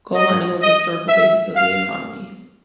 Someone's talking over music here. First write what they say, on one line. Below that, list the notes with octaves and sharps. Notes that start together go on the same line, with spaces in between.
Coal mining was the historical basis of the economy.
D#5
D#5
E5
F5